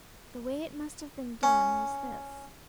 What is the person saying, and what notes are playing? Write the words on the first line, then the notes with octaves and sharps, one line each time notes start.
The way it must have been done was this.
C#4